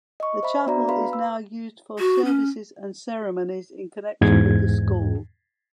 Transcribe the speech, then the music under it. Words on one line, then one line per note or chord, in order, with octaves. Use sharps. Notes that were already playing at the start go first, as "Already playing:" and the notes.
The chapel is now used for services and ceremonies in connection with the school.
D#5 C#6
C5 E5 B5
B3 D4 F#4 D5 E5 A#5
B4 F5 B5 C6
E6
F#4
C#4
E2 G#2 G#6